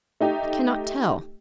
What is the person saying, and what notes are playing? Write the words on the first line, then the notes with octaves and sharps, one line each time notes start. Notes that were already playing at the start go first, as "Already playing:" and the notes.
I cannot tell.
A3 D#4 G4